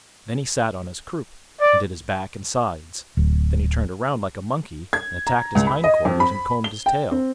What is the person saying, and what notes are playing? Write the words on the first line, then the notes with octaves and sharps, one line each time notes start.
Then he sat on his croup, and did his back and sides; then he turned around like a monkey, and attacked his hind-quarters, and combed his tail.
D5
D1
G#6
A#5
C#2
B5
D#5
F2
B5
G7
G5
C4